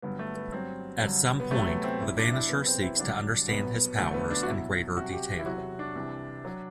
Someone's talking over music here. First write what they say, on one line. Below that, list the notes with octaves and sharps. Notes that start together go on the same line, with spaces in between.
At some point, the Vanisher seeks to understand his powers in greater detail.
G2 D3 F#3 B3
A3
B3
G2 F#3 C4
G2 D3 F#3
B3
D2 C3 F#3 A3
B3
C4
E2 C3 F#3 E4
D4
E4
E2 C3 F#3 B3
C4
E4
G2 D3 F#3 D4
C2 B2 F#3 B3
D2 D3 F#3 A3
B3
D4
F#4
C2 B2 F#3 E4
C2 C3 F#3 F#4
G4
E4
E2 C3 F#3 F#4
D4
C2 C3 E3
F#3